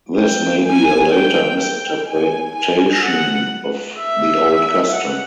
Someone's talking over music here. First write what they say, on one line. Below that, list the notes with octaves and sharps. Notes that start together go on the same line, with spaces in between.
This may be a later misinterpretation of the old custom.
G5
G#5
G5
G5
G#5
G#5
F#5
E5
F#5